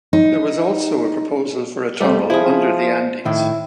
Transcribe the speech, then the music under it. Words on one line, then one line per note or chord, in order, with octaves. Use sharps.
There was also a proposal for a tunnel under the Andes.
D#4
F2 G3 A3
F3 E4 G#4
A2 D#3 E4